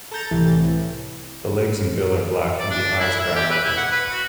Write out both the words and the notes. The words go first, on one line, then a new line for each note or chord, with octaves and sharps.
The legs and bill are black and the eyes brown or white.
A4 A#5 G6 A6
C2 A2 E3
D5
D4
E4
E5
G4
B4
E4
F#5
B4
F#4